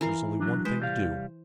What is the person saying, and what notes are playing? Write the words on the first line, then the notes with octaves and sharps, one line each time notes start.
There is only one thing to do.
E3 A#4 F5
F#3 D4
G#3 B4 C5
C2 G3 F5